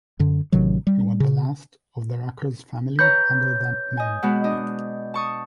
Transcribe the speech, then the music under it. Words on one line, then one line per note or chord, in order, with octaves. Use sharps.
He was the last of the Ruckers family under that name.
F#2 D3
A1 C3 D#3 F#3
G3
C#3
B4 C#5 A#5 G6
D#5 G#5
B2 G#3 B3
D4 D#5
A5 C#6 D#6